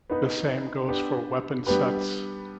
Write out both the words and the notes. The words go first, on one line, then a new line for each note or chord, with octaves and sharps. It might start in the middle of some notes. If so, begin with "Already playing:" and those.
The same goes for weapon sets.
B3 D#4 B4
B3 D4 G4
G3 B3 D4 G4 B4